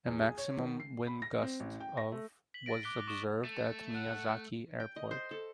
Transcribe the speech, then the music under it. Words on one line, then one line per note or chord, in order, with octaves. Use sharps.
A maximum wind gust of was observed at Miyazaki Airport.
E2
G#4
C#5
D#3
C7
B5
A#6
C4
A1
G5
A#6
A3
B6 F#7
A6 A#6 D7
D6 F#6 B6 D7 G7
C#6 D#6 D7 E7 G7
A3
F#5
G5
D#5
C5
A4